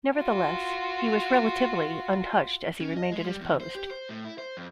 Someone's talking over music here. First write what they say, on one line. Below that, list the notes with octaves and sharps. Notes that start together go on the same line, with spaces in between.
Nevertheless, he was relatively untouched as he remained at his post.
F4 F#4
C#4
D#5
G#3
G3
E2
C5
G4
C5
A2
E4
C5
F2